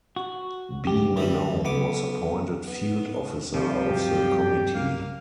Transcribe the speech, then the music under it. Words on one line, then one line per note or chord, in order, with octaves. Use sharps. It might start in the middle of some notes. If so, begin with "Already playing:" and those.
B. Malone, was appointed Field Officer of the committee.
F#4
D2 G4
E3 G3
B1 B3 D6
B3
C3 F3 G3 G4
G2 C3 F#3 D4 G5
A#3 F5